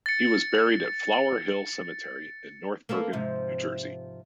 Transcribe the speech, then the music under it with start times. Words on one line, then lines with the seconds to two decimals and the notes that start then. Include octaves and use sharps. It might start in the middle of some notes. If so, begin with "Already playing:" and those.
He was buried at Flower Hill Cemetery in North Bergen, New Jersey.
0.06 A6 C#7
2.89 A#3 B3 A4
3.13 G#2 C3 F3